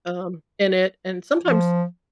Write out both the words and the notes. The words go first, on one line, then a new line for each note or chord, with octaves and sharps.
um, in it. And sometimes
F3